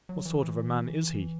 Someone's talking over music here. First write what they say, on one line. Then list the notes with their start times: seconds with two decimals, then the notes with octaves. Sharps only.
"What sort of a man is he?"
0.09 F#3
0.25 E3
0.42 E3